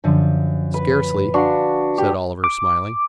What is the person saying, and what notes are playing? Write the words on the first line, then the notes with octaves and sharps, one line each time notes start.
"Scarcely," said Oliver, smiling.
F#2 D3 F3
B4
D4 F#4 F5 F#5 C6
G4
D6